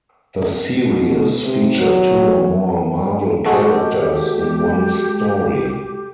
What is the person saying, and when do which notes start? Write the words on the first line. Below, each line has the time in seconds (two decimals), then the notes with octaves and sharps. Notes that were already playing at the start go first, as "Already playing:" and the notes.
The series featured two or more Marvel characters in one story.
0.88 B2
1.42 C3
1.77 F#3
3.45 G#3 F#4 G4 A4